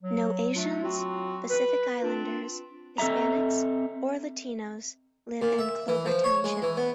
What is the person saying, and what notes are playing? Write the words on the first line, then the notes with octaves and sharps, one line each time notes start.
No Asians, Pacific Islanders, Hispanics or Latinos live in Clover Township.
F#3
F#3 A3 D4 F4
F#3 C4 F4 F#4
B4
C4 D4 F4
C4 A4 D#5 E5 A#5
A#2
E5
E3
F3
C#5
G#3
E3
B3